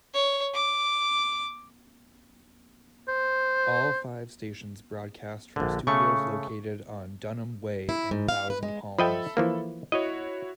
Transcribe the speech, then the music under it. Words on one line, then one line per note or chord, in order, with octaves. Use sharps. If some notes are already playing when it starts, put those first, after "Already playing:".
All five stations broadcast from studios located on Dunham Way in Thousand Palms.
C#5
D6
C5
A#1 D3
C#3 A3 C#6
E4
G#2
F5
B4
G#3
F3 A4 D#5 E5 G5 B5
E3 F3 A#3
E4 F#4 C#5 D#5